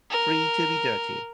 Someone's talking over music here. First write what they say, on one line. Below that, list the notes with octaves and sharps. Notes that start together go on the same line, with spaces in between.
Free to Be Dirty!
A#4